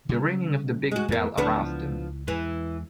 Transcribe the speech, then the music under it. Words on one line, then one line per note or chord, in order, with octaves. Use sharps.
The ringing of the big bell aroused him.
C#3 G3
G#3 F#4
F2 E3 A#3 B3
C#2 E3 F3 B3 D4
E2 E3 G#3